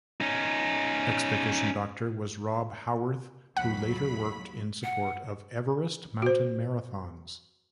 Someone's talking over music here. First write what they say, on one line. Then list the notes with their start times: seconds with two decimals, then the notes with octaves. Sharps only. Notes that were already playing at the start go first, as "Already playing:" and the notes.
Expedition doctor was Rob Howarth who later worked in support of Everest Mountain Marathons.
0.21 C#4 D#4
3.57 D#2 F#3 F#5 B5
4.84 F#5
6.22 F#4 C5